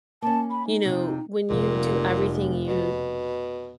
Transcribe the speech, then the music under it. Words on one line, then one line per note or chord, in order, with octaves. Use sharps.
you know, when you do everything you
A#3 C#4 A5
B5
D#4
F2 C3
F1 A#2
B2